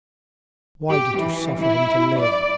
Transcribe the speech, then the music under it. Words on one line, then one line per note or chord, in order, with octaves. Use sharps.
"Why did you suffer him to live?"
G4
E3
E4
D5